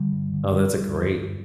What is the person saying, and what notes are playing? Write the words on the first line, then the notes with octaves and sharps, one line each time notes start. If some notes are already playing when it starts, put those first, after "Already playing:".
Oh, that's a great
Already playing: D3 G3
G2
D3
D3
G2
D3
G2